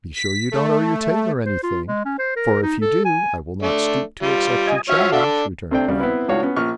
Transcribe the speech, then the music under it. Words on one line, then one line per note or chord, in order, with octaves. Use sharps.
"Be sure you don't owe your tailor any thing, for if you do, I will not stoop to accept your challenge," returned Briarly.
B6
A3
C5
F4
G#3
C#4
C5
A#4
D#4
A4
G#5
A3 D4
G3 F4
D#5 G#5
F3 F#4 C#5 E5 F5 F6
D4 A4
C3 A3 C4 D4 G5
C#3 G3 F#4
B3 C4 E4 B4
C#2 A2 D4 F#4 C#5 F5
B3 C#4
A#1 C#6 F6